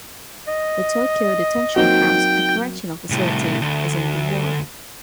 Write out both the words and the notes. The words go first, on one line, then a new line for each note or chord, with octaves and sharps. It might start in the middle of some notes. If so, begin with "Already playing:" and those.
The Tokyo Detention House, a correctional facility, is in the ward.
D#5
F#3 A#3 C4 D#4 F#4 G5
C2 A2
D2